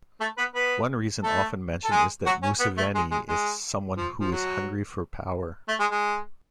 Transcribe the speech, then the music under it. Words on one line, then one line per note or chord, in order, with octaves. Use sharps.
One reason often mentioned is that Museveni is someone who is hungry for power.
A3 A4
B3 B4
B3 B4
A3 A4
A4
G#3 G#4
F#3 F#4
C#4
B3
A3
G#3
G#3
G#3
F3
F3
F#3
A3
G#3
G#3